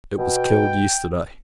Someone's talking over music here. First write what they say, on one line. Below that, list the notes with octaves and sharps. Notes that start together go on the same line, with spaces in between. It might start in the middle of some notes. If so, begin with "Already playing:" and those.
It was killed yesterday.
B2 G5